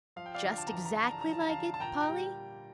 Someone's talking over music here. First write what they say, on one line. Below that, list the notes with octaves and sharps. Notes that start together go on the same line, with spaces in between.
"Just exactly like it, Polly?"
F3 F5
G5
D5 F5
D3
A5
A#5
E2 A5
A#5
A5
E2 A#5
A5
A#5
F3
A5
A#5
D3 F5 A5
A5
A#2 G5 A#5
G5 A#5
G3